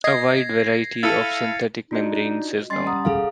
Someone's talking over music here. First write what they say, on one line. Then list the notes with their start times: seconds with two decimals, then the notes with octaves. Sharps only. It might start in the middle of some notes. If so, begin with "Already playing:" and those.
A wide variety of synthetic membranes is known.
0.04 D#5 G#6 A#6 C7
1.03 E4 A4 F5 A6 C#7 D#7
1.91 D4 D#4 F4 F#4 D#5
2.70 G3 C#4 D#5 C6 A6 C7
2.87 F#5 A#5 D#6
3.05 G#4 A4 F5